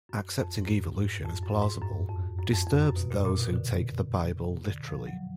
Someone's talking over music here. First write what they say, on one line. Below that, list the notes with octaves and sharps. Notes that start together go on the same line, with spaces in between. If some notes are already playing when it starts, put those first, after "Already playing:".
Accepting evolution as plausible "disturbs those who take the Bible literally".
F#2
F2
G#2
F#2
G#2
F2
F#2
G#2
F#2
F2
F#2
F2
F2
F#2
B2
A#2
A#2
B2
D3
D3
F3
F#3